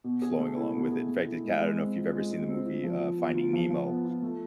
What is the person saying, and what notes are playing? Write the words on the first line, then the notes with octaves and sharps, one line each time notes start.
flowing along with it, in fact, it g I don't know if you've ever seen the movie, uh, Finding Nemo,
B2
G#4
A3
E4
B2
G#4
A3
E4
G#3
G#3
C4
F4
G#3
G#3
C4
F4
F3
F3
B3
F4
F3
F3
B3
F4
A3